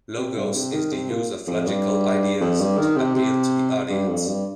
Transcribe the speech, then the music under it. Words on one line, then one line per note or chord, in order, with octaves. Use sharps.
Logos is the use of logical ideas to appeal to the audience.
C3
G2
C3
D#3
C3
A#2
F2
G2
F2
G2
D#3
C3
C3
G2
F2
G2